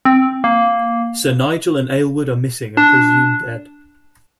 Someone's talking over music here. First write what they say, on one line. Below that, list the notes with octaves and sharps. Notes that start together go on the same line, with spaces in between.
Sir Nigel and Aylward are missing and presumed dead.
C4
A#3
D4